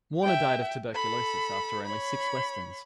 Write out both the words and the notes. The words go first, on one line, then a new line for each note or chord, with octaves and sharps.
Warner died of tuberculosis after only six Westerns.
E5 G5
A4 B5
C#5 B5